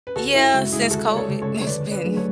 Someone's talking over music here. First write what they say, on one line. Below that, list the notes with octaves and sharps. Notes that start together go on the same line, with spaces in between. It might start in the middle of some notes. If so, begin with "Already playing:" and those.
Yeah, since COVID, it's been
B4
D2 F#4 A4
E4
C#3 G#3 F#4
E4 G#4
D2 F#4 A4
D5
A4 C#5
C#3 G#3
A4 C#5
C#5
D3 B4 D5
B4 D5
F#3 A3 D4 G#4
A4 C#5